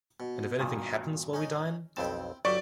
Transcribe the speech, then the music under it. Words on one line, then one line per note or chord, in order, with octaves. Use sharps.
And if anything happens while we dine?
B2
G2 A#2 D#3
C#4 D#4
B1 F2 C4 E4 G5 A5
G1 F#3 D5 E5 G5 C#6